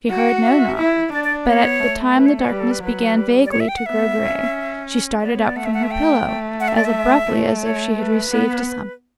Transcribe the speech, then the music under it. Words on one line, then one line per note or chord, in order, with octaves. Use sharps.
She heard no knock, but at the time the darkness began vaguely to grow grey she started up from her pillow as abruptly as if she had received a summons.
F#4 F#5
G5
F#5
E5
E4
D4 D5
D5
B3 C#5
A3
B4
C#5
C#5
G3 B4
A4
B4
F#3 B4
G3
D5
C#5
E5
G5
F#5
B3 E5
C#4
B3 D5
C#5
D5
A3 F#5
E5
F#5
E5
G5
A3
F#5
E5
D5
E5
A3
C#5
B4
B3